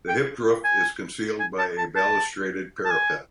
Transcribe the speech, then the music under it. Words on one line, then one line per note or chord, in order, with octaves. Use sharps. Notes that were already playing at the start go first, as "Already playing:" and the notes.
The hipped roof is concealed by a balustraded parapet.
G5
G#5
G#5
A5
A5
A5
A5
G#5